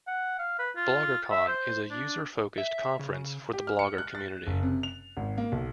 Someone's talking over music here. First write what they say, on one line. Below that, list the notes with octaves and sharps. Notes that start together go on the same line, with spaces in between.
BloggerCon is a user-focused conference for the blogger community.
F#5
F5
B4
F4
E5
C5
D4
E5
C#3
G4
F6
C#7
F#6
A6
F#1
C3
F7
G#1
A#3
B1